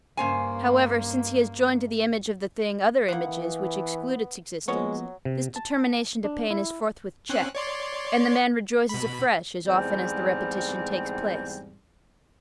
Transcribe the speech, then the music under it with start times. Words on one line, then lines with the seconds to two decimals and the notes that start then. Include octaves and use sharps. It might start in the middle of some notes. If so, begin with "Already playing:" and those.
However, since he has joined to the image of the thing other images, which exclude its existence, this determination to pain is forthwith checked, and the man rejoices afresh as often as the repetition takes place.
0.17 G2 C#3 A#3 C5 G#5
3.08 E3 A#3 B3 F#5
4.68 F3 F#3 G#3 A#3 B3 C#4 C#5 D#5
5.25 C3
5.56 A5
6.24 D4
6.50 E4
7.29 C4 C#4 F#6
7.55 C#5 D5 C6
8.89 B2 B5
9.65 E2 G#2 G3 C4